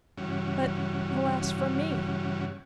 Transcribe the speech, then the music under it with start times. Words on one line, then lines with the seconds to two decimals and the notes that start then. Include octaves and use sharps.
But, alas for me!
0.18 G2 C#3 E3 G3 C#4 F#4